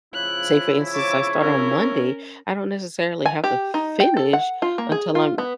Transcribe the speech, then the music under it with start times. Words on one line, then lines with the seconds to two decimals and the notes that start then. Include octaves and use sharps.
say for instance, I start on Monday, I don't necessarily have to f finish until I'm r
0.14 C#3 F3 E4 F#6
0.94 C#5 A5 D6
1.39 C#4 A#4
3.26 G#5
3.44 G4
3.74 D#4
4.00 G5
4.17 A4
4.33 F#5
4.62 F4
4.78 A#3
4.92 G#4
5.15 F4
5.38 B3